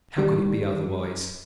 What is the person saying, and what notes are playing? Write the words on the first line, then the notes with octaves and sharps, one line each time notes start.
How could it be otherwise?
D#3 G3